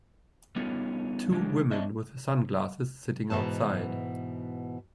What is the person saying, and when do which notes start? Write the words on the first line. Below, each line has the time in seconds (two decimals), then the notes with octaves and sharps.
Two women with sunglasses sitting outside.
0.56 G3 B3 C#4 D#4 F4 G#4
1.30 C#3 E3 G#3 D4 G4
1.71 B3 C#4 D4 D#5 E5
3.30 G#2 B2 E3 B3 A5